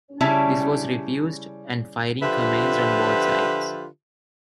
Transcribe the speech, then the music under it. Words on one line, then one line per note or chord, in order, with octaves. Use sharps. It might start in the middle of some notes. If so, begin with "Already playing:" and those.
This was refused, and firing commenced on both sides.
C#3 G3 C#4 E4 E5 A5
D3 F3 F4 G4 B4 E5